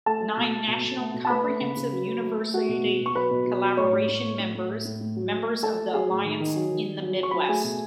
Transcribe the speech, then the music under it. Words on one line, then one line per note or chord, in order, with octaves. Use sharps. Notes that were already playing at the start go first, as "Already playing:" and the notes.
"Nine national comprehensive university collaboration members, members of the alliance in the Midwest".
A3 A4 A5
A3
B2
A3
B2
B2
A3
B2
A5
A3 B4 B5
A3
C#3
C#3
F#3
F#3
A3
A3
A3 F#4 F#5
B2
B2
B2
C#6
F#3 B4 B5
B2
B2
F#3
A2 C#5 C#6
A2
A2
A3
A2
A2
A3
A2
A2
F#3
A3
A3
A3 A4 A5
A3
F#3 G#4 G#5
A2
D#3
D#3
F#3
D#3
D#3
F#3
F#3
C#6
F#3 B5
A5
A3 G#4 G#5
B2